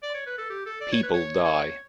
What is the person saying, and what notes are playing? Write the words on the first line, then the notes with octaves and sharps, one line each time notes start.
People die.
D5
C#5
B4
A4
G4
A4
D5
C#5
B4
C#5
C#5